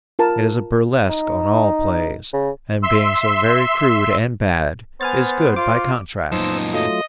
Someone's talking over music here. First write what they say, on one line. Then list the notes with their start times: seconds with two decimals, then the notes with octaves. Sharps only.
It is a burlesque on all plays, and being so very crude and bad, is good by contrast!
0.19 F4 A#4 A5
1.09 D#4
2.33 C#3
2.83 E5 C6 E6
5.01 B3 C5 G#5 F6 A6
5.56 F4 D6
6.32 F#2 A#2 F3 B3 D#4 C5 E6
6.74 F#3 A3 F4 D#5